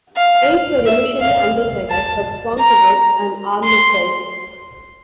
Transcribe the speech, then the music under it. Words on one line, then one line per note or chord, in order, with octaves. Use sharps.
Eight were initially undecided but swung towards an armistice.
F5
E5
F5
A5
A#5
C6